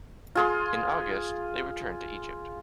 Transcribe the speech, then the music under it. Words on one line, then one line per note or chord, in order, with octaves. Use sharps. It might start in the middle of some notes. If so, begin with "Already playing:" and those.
In August they returned to Egypt.
F4 G#4 C6